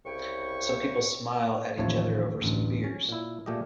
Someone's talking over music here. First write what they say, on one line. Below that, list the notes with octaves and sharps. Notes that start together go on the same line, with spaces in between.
Some people smile at each other over some beers.
C2 C#3 E4 G5 C#6
A1 D#2 F3 A3 C#5 A5
A1 D2 G2
C#4
A#2 E4
A#2 A3 G4 G#4 D#5